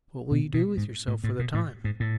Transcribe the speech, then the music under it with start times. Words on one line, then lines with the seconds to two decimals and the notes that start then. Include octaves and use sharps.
"What will you do with yourself for the time?"
0.31 B2
0.54 B2
0.77 G#2
1.08 A2
1.24 A2
1.39 B2
1.54 A2
1.84 G#2
2.00 A2